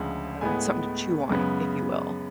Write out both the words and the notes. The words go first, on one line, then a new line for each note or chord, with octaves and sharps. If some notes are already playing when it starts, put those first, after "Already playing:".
um, something to chew on, if you will.
Already playing: D2 C#3 F3 G#3
A2 G#3 B3 G#5
F#2 C#3 G#3 B3